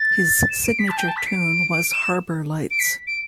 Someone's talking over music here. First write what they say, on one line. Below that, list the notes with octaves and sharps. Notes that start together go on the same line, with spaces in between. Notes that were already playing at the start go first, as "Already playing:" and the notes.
His signature tune was "Harbor Lights".
Already playing: A6
E7
D7
B6
A5
G5
A5
B6
D7
E7
D7
B6
D7